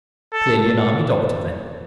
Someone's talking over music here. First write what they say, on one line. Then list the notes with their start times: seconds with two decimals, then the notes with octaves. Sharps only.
Clearly an army doctor, then.
0.33 A4